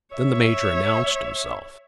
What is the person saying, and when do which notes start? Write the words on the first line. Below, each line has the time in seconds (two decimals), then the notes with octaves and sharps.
Then the major announced himself.
0.15 C#5 E5